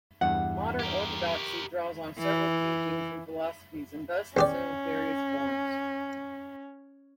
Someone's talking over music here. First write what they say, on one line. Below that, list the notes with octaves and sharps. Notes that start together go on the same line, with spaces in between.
Modern Orthodoxy draws on several teachings and philosophies, and thus assumes various forms.
E2 G2 F#5
G4 A#4
E3
E2 C#4 G4 D5